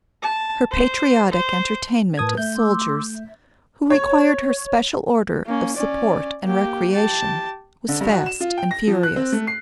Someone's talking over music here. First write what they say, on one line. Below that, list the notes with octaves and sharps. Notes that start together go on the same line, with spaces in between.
Her patriotic entertainment of soldiers who required her special order of support and recreation was fast and furious.
A5
C5
C5
A2 A#4 B4 A5 D#6 G#6
A3 E5 G6
C6 D6 E6
E5
C#5
A#3 C#4
C#4 D5
A#3 G4
G4 A5
D3
G2
F#4
E7
F4
G5
A#6
F3
F#6
C4
A3
C7